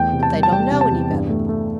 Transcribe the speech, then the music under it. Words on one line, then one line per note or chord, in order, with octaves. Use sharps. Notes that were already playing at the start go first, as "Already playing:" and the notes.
'But they don't know any better.
Already playing: E2 A3 G5
C3
A5
G3
A5
G3 G5
C3
A5
E2
G2
A3
A3